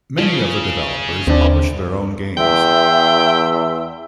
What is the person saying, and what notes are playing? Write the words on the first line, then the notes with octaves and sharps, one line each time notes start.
Many of the developers publish their own games.
C#3 F3
D#2 C4 D4
E2 E5 G5 C6 E6